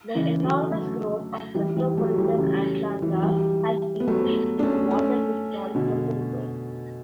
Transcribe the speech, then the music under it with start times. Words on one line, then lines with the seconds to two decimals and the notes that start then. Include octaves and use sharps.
The enormous growth of metropolitan Atlanta has increased its water withdrawals from the river.
0.15 C#3 E3
0.43 D3 F#3
0.71 F#3 A3
1.54 E3 G3
1.77 E3 G3
1.97 F#3 A3
2.13 F#3
2.18 E3 G3
2.38 C#3 E3
3.02 E3
3.12 F#3
3.23 E3 G3
4.00 B3
4.07 F#3 A3
4.59 D4
4.63 A3 C#4
4.91 A3 C#4
5.75 B2 D3